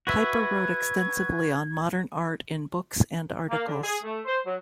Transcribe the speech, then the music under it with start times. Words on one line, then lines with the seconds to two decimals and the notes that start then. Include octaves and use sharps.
Piper wrote extensively on modern art in books and articles.
0.07 F#4 B4 E5 G#6
3.49 A#3
3.66 D3
3.83 G#4
4.03 A3
4.26 C5
4.46 F#3